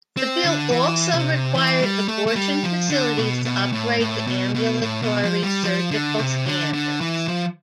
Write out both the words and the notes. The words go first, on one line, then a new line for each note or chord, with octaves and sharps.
The bill also required abortion facilities to upgrade to ambulatory surgical standards.
C4
D3
E3
C3
E3
G3
A3
A3
G3
F3
D3
B2
B2
A2
A2
B2
B2
A2
B2
F3
G3
F3
D3
C3
D3
D3
E3
F3